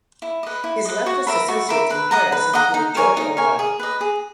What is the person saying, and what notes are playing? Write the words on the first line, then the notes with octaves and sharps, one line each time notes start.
His leftist associates in Paris included George Orwell.
E4
B4 D#5
E4
B4 D#5
F#4
A#4 E5 B5
F#4
A#4 E5 B5
B4
D#5 F#5 A#5
B4
D#5 F#5 A#5
D#4
A#4 C#5 G#5
D#4
A#4 C#5 G#5
G#4
B4 D#5
G#4